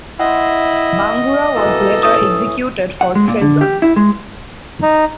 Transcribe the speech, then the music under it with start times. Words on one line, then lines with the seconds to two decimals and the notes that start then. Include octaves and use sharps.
Bangura was later executed for treason.
0.20 E4 D#5 F#5 G5 C6
1.56 B2 E3 A#3 A4
2.03 A2 C#4 D#6
3.01 F#5
3.15 G#3
3.28 A#2
3.41 D3
3.61 G4
3.82 E4
3.96 G#3
4.82 D#4